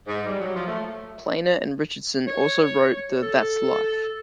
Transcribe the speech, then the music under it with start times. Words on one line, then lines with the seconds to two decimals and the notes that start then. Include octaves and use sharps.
Planer and Richardson also wrote the That's Life!
0.08 G#2
0.26 G3
0.38 F#3
0.55 F3
0.68 A3
2.27 C#5
3.22 A4